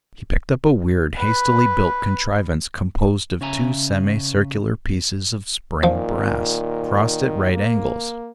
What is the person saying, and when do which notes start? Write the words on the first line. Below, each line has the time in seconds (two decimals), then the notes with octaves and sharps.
He picked up a weird, hastily built contrivance composed of two semi-circular pieces of spring brass, crossed at right angles.
1.18 B4
3.41 C#3 C#4 E5 G#5 A#5
5.83 A#2 D#3 F3
7.53 A#3